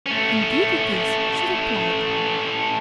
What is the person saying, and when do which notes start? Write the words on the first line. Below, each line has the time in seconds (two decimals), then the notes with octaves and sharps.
"Indeed it is," she replied.
0.06 A3 C#4